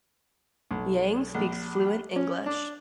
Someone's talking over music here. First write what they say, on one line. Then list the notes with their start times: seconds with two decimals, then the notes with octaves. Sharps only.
Yang speaks fluent English.
0.71 B1
1.35 A#1
2.16 C#4
2.46 D4